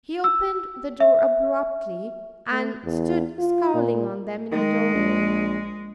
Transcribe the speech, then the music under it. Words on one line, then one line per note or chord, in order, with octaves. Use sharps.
He opened the door abruptly and stood scowling on them in the doorway.
E6
E5
A3
E2
F4
A#2
D#3 G#3
A#1